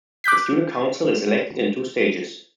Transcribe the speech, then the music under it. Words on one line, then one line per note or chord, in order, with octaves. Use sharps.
The Student Council is elected in two stages.
D6 F#6 G6 B6